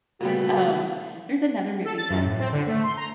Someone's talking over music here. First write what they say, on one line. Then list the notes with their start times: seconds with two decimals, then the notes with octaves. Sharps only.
Um, there's another movie that is
0.21 A#2 C#3 G3 A3 B3 F#4
1.85 A4
1.98 A6
2.10 F#2
2.26 A2
2.40 C4
2.52 D3
2.67 A3
2.83 C6
2.97 A#5